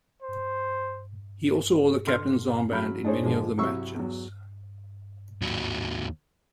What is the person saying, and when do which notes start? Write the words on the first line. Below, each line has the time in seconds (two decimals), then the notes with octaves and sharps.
He also wore the captain's armband in many of the matches.
0.22 C5
2.07 D3 C6 F6
2.71 C#3 F#3 B5 F6
3.05 D4 D#4 G#4 C5 C#5
3.23 D3 F3 G#3
3.58 C2 F#3 E4 C#6 E6
3.95 E2 F#3
5.42 D#2 F#3